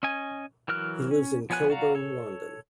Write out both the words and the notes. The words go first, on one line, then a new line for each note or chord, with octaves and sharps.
He lives in Kilburn, London.
C#4 D#5 G#5
E3 F#3 A#4 F6 F#6
C#4
F3 B3 C#5 G#5 F#6
F#4 D5 F5 F#5 A#5
A4 C#5